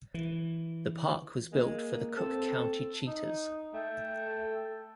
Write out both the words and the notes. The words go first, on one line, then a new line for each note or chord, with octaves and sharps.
The park was built for the Cook County Cheetahs.
E3
G#3 A#3
C4 A4
D#4
A3 A4 G5